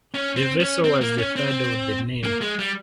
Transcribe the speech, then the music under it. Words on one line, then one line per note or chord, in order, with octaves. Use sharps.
The vessel was the third of the name.
C#4
C4
C#4
C4
A#3
C#4
C4
A#3
G#3
G3